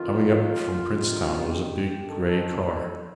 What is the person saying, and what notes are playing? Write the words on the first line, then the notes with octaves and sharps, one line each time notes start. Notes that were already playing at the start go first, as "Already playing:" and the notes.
Coming up from Princetown was a big, grey car.
Already playing: F2 D#3 F4
D2 C3 D#3
G4
F2 D#3 A4
A4